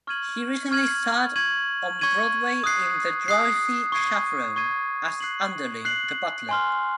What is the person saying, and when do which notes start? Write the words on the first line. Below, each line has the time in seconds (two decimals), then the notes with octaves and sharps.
He recently starred on Broadway in "The Drowsy Chaperone" as Underling, the butler.
0.07 C#6 F6 G#6 D#7 F#7
0.71 C#6 F6 G#6 D#7 F#7
1.36 C#6 G#6 D#7 F#7
1.99 C#6 G#6 D#7 F#7
2.64 D#6 F#6 C7
3.28 D#6 F#6 C7
3.92 C#6 G#6 C7 D#7
4.56 C#6 G#6 C7 D#7
5.20 F#6 C7 F#7
5.85 F#6 C7 F#7
6.49 G#5 C6 F6